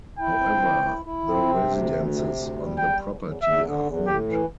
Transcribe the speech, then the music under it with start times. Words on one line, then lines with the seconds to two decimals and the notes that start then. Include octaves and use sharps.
However, the residences on the property are owned.
0.19 E4 G5
0.40 C4
0.62 E4
0.84 E4
1.05 E4
1.27 C4
1.49 C3
1.70 D2
1.92 D2
2.13 C3
2.34 D2
2.56 G3
2.77 E2 G5
2.99 E2
3.21 E2
3.42 E2 E5
3.64 D3
3.85 E2
4.07 A2 G4
4.28 E3